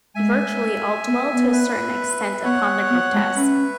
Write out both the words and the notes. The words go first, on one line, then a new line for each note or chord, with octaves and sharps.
Virtually all dwell to a certain extent upon the grotesque.
G#3 E5 G#5
B3
B3
B4 E5
B3 C#5 F#5
B3
G#3
C#4 B4 E5